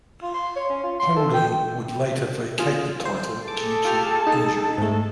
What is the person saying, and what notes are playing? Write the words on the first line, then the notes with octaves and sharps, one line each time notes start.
Holden would later vacate the title due to injury.
F4
C6
C#5
C#4
F4
C6
A4
G5
F4 G#4
C5
G#4 A4 A5 D6
F4 G4 F6
D#4
G#2 A3